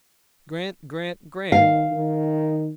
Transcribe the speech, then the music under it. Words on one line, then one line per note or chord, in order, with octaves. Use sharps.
Grant, Grant, Grant!
D#3 F5
D#3